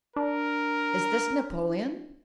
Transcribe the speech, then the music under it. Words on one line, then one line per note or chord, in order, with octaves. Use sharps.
"Is this Napoleon?"
D4 A#4